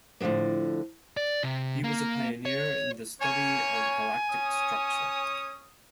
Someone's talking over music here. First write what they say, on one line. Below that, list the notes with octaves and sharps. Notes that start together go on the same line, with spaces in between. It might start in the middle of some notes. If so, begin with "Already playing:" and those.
He was a pioneer in the study of galactic structure.
A2 D3 F3 F#3 A#3
D5
C3
A#3
C#5
A#3 C#4 C#5 G#5
C#4 C#5 D#6